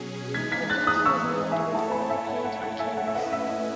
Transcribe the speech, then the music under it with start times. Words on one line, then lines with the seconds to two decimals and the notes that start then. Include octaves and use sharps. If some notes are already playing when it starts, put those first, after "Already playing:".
The painting was made with oil paint on canvas.
Already playing: B2 F#3 C#4 G#4
0.34 E3 G#3 D#4 G#4 G#6 B6
0.52 G#6 B6
0.70 F#6 A6
0.87 D#6 F#6
1.05 C#6 E6
1.51 E5 G#5
1.74 A3 E4 A4 C#5 F#5 A5
1.92 G#5 B5
2.10 E5 G#5
2.27 F#5
2.44 F#5
2.62 F#5
2.79 E5 G#5
2.97 F#5
3.07 E5
3.14 A3 C#4 E4 B4 D#5 F#5
3.33 E5